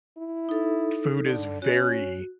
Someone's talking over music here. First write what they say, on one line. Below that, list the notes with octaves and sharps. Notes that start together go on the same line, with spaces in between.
food is very
E4
D#4 A4
D3
C#4 F#4